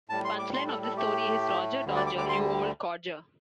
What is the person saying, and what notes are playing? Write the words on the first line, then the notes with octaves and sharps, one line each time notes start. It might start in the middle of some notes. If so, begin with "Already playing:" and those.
The punch line of this story is, Roger Dodger, you old codger!
A2 G3 A5
C6
D6
C6
A4
A4
A2 A3 G4
D2 D3 G3
D5
D6
D6
C6